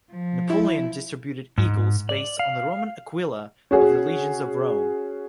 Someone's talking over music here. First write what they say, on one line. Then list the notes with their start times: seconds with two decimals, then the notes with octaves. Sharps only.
Napoleon distributed "eagles" based on the Roman aquila of the legions of Rome.
0.11 F3
0.50 E4
1.58 G#2
2.09 D5
2.39 F5
3.71 C#4 F#4 G#4